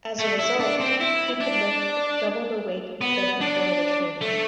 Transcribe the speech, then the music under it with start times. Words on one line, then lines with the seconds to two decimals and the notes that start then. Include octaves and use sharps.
As a result, he could lift double the weight he could before the training.
0.20 A3
0.39 E4
0.60 D4
0.80 C4
1.00 E4
1.40 D4
3.01 B3
3.41 D4
4.22 A3